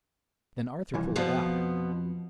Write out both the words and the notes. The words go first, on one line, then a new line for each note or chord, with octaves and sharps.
Then Arthur pulled it out.
C2 F2 E3
F2 B2 F3 B3